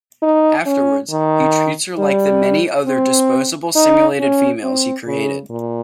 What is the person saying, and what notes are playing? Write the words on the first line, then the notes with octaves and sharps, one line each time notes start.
Afterwards he treats her like the many other disposable simulated females he created.
D#4
C#4
D#3
G3
C4
D#4
C#4
C4
C#3
A#2